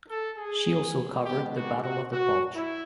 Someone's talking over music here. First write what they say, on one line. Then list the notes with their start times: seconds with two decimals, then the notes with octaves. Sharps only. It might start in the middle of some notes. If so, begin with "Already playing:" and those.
She also covered the Battle of the Bulge.
0.08 A4
0.36 G#4
1.24 D#3 G#3 B3 D4 G4
1.54 F#4
1.82 F#4
2.12 F#4
2.55 E4